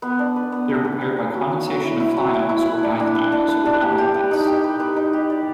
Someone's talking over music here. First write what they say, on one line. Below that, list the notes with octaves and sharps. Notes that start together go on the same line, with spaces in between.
They are prepared by condensation of thiols or dithiols with aldehydes.
B3
D4
B4
B3
D4
B4
B4
D4
F#3
F#3
F#3
E4
E4
F#3
E4
E4
B4
D4
D4
B4
D4
B4
D4
G4
G4
B4
D#4
G4
B4
B4
D#4
G4
D5